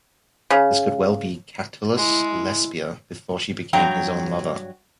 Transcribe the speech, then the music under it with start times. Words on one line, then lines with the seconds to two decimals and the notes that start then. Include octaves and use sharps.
This could well be Catullus' Lesbia before she became his own lover.
0.51 C#3
1.96 G#3 E4
3.73 G2 F#3 G5 A#5